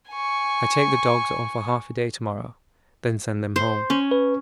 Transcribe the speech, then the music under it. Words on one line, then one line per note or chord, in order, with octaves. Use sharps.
I take the dogs on for half a day to-morrow, then send them home.
G#5 C#6
C5
C#4
B4